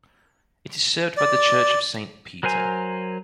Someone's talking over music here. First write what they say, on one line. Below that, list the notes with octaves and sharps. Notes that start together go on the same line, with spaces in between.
It is served by the Church of Saint Peter.
D5
F#3 A#4 C5 G#5